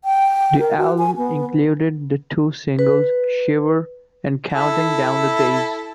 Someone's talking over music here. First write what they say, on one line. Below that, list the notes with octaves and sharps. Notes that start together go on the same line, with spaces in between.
The album included the two singles "Shiver" and "Counting Down the Days".
G5
A#4
F#4
G#5
B3
B4
E4 A4